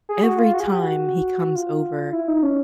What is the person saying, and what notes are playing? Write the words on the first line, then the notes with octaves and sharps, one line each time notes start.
every time he comes over
G#4
F#4
F4
F#4
G#4
G4
F#4
F4
E4
D#4
C#4